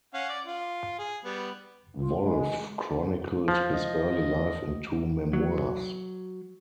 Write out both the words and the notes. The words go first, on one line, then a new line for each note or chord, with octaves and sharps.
Wolff chronicled his early life in two memoirs.
C#4 F5 F#5
D5
F4
G#4
G3 B3
F4
G#3
F3
D#5
F#3